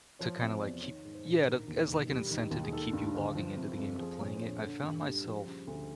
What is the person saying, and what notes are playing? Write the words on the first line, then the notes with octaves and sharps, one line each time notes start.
to, kinda, like, keep yeah, to as, like, an incentive to keep you logging into the game to playing it. I've found myself,
F3 C#5
C3 C#5
E2 D5
D#3 C#5
G#2
C5
A#1
D#3 A#4
D#2
E1
G3
D#3
D#2
G#4
D#3 A4
G2
G1
F3
C3
F2
F3 G#4
A#2 C#5
C5
A#1 C#5
D3
G2
G3
F3
C#3
D2